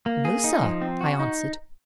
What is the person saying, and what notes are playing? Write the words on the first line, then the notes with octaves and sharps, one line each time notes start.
"No, sir," I answered.
A#3
G#4
D#4
F3
C4
F#4
D#4